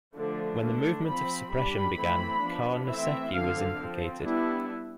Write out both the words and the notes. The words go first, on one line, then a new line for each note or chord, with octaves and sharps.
When the movement of suppression began, Carnesecchi was implicated.
D3 F3 A3 D4
D3 A3 D4
F3 C4 B5
G3 D4 B5
E3 A3 C4
F3 B3 D4
E3 A3 C4 E5
D3 F3 C4 F5
F3 C4
G3 B3 D4 E4